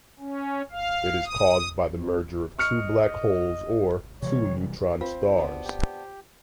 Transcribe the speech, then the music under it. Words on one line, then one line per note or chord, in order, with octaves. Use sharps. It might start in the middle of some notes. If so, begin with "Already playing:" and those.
It is caused by the merger of two black holes or two neutron stars.
C#4
F5
D#6
F2
D#5 C#6 F6 C#7
C3 E3 G3 C#5
C4 F4 F5
B3 D4
G4